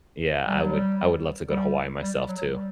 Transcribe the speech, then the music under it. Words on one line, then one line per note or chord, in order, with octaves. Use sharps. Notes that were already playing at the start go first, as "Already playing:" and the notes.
Yeah, I would I would love to go to Hawaii myself too.
G3
F#3
G3
G3
G3
F#3
G3